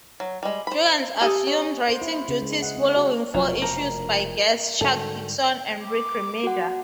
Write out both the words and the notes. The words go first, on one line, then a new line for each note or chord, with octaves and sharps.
Jurgens assumed writing duties following four issues by guests Chuck Dixon and Rick Remender.
F#3
G3 G#3
C5 B5
G4 A4 G#5 D#6
C#4
C5
E4
C#3
G#3
F#5
C4
F#4
F1 B2 F#3 F4
F3 A#4
G#2 D3 G3 F#4 A4
D6
F#4 F#5